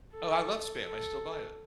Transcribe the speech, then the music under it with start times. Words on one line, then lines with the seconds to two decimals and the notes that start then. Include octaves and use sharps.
Oh, I love Spam. I still buy it.
0.14 A4
0.85 A4